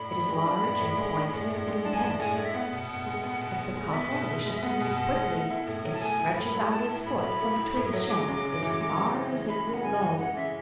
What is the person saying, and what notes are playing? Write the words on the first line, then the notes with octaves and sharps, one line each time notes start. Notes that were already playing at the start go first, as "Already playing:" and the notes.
It is large and pointed, and bent: if the Cockle wishes to move quickly, it stretches out its foot from between the shells, as far as it will go.
Already playing: A2 D4 B5
A2
G#3
D4
A2
A2
G#3
D4
A2
A2
G#3
D4 A5
G#5
A2 A5
A2 G#5
G#3 D5
E5
B3 F#5
B2
B2
G#3
B3
B2
B2
G#3
D5
B3 E5
B2
B2
G#3
E5
B3 F#5
B2
B2
G#3
A3
E4
A2
F#3
A5
A3 G#5
E4
A2 B5
F#3
A3 A5
E4
A2 B5
F#3
A3
E4
A2
F#3
G#3 D6
C#3
C#3
E3
G#3
C#3
C#3
E3
G#3 B5
C#3
F#5
C#3 G#5
E3
G#3 F#5
C#3 E5